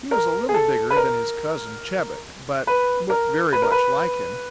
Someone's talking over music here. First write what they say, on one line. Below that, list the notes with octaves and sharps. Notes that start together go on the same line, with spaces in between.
He was a little bigger than his cousin, Chebec, but looked very much like him.
A#4
G#4
A4
B4
A#4
B4
A#4
B4
A#4
B4